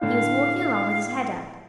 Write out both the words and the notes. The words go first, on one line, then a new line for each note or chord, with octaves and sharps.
He was walking along with his head up.
A2 D3 F5